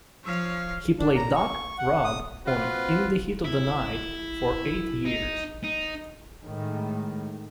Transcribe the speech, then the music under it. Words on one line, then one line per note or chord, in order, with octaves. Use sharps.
He played "Doc" Robb on "In the Heat of the Night" for eight years.
F3 C#5 F5
D4
A#5
C#6
F#5
D#6
C4 F4 F#4 B4
E4
D#4
D#4
A2 D#3 G#3